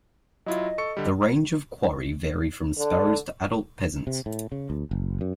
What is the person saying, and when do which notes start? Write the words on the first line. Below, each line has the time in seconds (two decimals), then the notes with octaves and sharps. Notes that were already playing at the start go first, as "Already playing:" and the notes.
The range of quarry vary from sparrows to adult pheasants.
0.46 F#3 E4 F4 D#5
0.78 A4 C#6 C#7
0.97 D3 G3
2.79 D3
4.07 C3
4.26 A2
4.52 C#3
4.70 D2
4.91 F#1
5.21 F#2